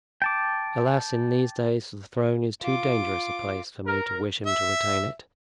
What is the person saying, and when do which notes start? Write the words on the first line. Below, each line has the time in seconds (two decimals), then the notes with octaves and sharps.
Alas! in these days the throne is too dangerous a place for me to wish him to retain it.
0.22 G5 A5 D6
2.62 F4 D6
3.86 A#4
4.46 E5